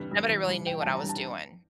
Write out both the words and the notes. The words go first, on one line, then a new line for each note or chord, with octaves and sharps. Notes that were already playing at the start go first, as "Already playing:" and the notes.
Nobody really knew what I was doing.
Already playing: G2 E3 G3
G3
E3
G3
E3 G5
G3 A5
A#5
G2
A5